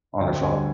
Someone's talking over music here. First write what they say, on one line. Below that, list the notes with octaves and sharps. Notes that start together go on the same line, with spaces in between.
"on their phone
D2 G5
D3 G3 G#5